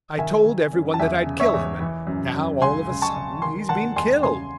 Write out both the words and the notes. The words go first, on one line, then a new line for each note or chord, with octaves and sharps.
I told every one that I'd kill him, and now, all of a sudden, he's been killed.
D#3 E5 G#5
D#3
F#2
A5
E2 E5 G#5
C#3
C#5 E5
E2
E3
F#2
F#2
C#2 G#5 C6
C#2
A5 C#6
C#3
D#3 G#5 C6
D#3 F#5 A5
E2 G#5 C6
C#3 G#5 C6